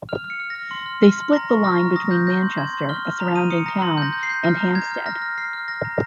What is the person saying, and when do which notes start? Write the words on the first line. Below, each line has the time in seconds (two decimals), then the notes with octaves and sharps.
They split the line between Manchester, a surrounding town, and Hampstead.
0.09 F6 F7
0.24 F6
0.30 C#7
0.40 F6
0.50 A#6
0.55 F6
0.71 C6
0.86 F6
1.03 F6
1.17 C6
1.33 A#5 A#6
1.49 C#6
1.64 F6 A#6
1.80 A#5
1.96 D#6 A#6
2.11 G6
2.27 G6 A#6
2.42 C6
2.58 C6 G#6
2.73 C6
2.89 F6 G7
3.05 F6
3.20 A#5 F7
3.35 D#6 D#7
3.50 D#6 C#7
3.66 A#5 A#6
3.82 C6
3.98 G6 A#6
4.13 G6
4.23 C7
4.29 G6
4.44 F6 A#6
4.60 A#5
4.75 A#5 G#6
4.91 F6
5.06 F6 A#6
5.22 F6
5.38 F6 C7
5.53 F6
5.68 F6 A#6
5.85 A#5